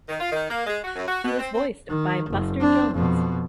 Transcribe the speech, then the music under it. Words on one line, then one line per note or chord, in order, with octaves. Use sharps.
He was voiced by Buster Jones.
D#3
F4
D#3
A#3
G#3
F#4
F#2
F#4
B2
C4
C4
D#3
F#1
C4 D4
F2 B2